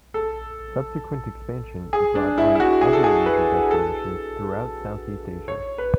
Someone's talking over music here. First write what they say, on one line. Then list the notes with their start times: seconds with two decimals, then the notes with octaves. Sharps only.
Subsequent expansion brought on other leisure destinations throughout Southeast Asia.
0.14 A4
1.93 G#4
2.15 D4
2.38 E4
2.55 E4
2.60 F#4
2.81 G#4
2.93 A4
3.04 G#4
3.26 B4
3.71 A4
5.48 C#5
5.78 B4